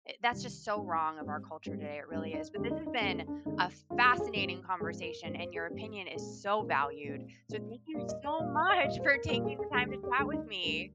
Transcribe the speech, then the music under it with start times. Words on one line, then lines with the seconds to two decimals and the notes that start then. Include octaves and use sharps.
eh, that's just so wrong of our culture today it really is, but this has been a fascinating conversation, and your opinion is so valued. So thank you so much for taking the time to chat with me!
0.31 C2 C3 D#3 G3
0.76 G#2 G3 C4 D#4
1.21 G#2 G3 C4
1.66 G#2 G3 C4
2.11 G#2 G3 C4 D4
2.33 D#4
2.56 F2 D3 G#3 G4
2.71 D#4
2.86 D#4
3.01 F2 D3 G#3 D4
3.27 D4
3.45 F2 D3 G#3 D#4
3.90 F2 D3 G#3 F4
4.05 G4
4.13 F4
4.20 G#4
4.24 G4
4.36 G#2 F3 G#3 C4 G4
4.80 G#2 F3 G#3 C4 G#4
5.02 A#4
5.25 G#2 F3 G#3 C4 C5
5.39 C5
5.55 G#4
5.69 G#2 F3 G#3 C4 G4
6.15 A#2 G#3 C4 G#4
6.59 A#2 G#3 C4 A#4
6.82 A#4
7.04 A#2 G#3 C4
7.49 A#2 G#3 C4
7.94 A#2 G3 A#3 D5
8.09 D#5
8.24 D5
8.39 A#2 G3 A#3 F5
8.55 F5
8.69 D#5
8.80 F5
8.84 A#2 G3 A#3 D#5
9.00 C5
9.14 A#4
9.29 A#2 G3 A#3 A#4
9.45 G#4
9.59 G#4
9.74 D2 D3 G3 G#4
9.88 G4
10.03 G4
10.18 D2 D3 G3 G#4
10.33 D#4
10.63 D2 D3 G3 A#4